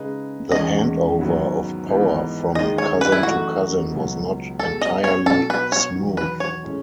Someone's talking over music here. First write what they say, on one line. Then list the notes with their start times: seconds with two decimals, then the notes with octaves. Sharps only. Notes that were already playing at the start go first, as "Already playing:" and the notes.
The handover of power from cousin to cousin was not entirely smooth.
Already playing: C#3 G#3 D#4 G#4 B4
0.52 E1 E2 D#3 G#3 C#4 D#5
1.20 G#2 D#3 F#3 B3
1.88 G#1 G#2 E3 B3 D#4
2.55 D#2 D#3 G#3 D#4 D#5
2.78 C#5
3.01 B4
3.12 E4
3.23 F#2 E3 A3 D#4 F#4
3.91 C#2 B2 F#3
4.59 B1 B2 G#3 A4
4.81 D#5
5.04 C#5
5.26 B1 B2 F#3 A4
5.50 B4
5.72 C#5
5.95 E2 D#3 F#3
6.17 B4
6.40 C#5
6.63 A2 G#3 C#4